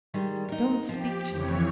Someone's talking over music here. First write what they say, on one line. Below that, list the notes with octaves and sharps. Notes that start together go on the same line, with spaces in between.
Don't speak to me.
D#3 G3 G#3
D#4 A#4
F3 G4
F2 E3 C#5